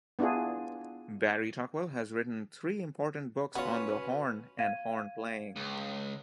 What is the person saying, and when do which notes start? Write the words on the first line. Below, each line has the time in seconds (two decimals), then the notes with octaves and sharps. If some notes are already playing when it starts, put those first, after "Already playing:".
Barry Tuckwell has written three important books on the horn and horn playing.
0.19 B3 D4 E4 F4 G#4
3.55 B3 C#4 F4 F#4 B4 C#5
4.59 F5 G#6 D#7
5.56 C#2